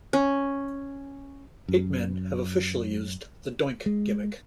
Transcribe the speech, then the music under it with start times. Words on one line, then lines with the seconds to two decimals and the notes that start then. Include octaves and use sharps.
Eight men have officially used the Doink gimmick.
0.13 C#4
1.68 F#2
3.86 G#3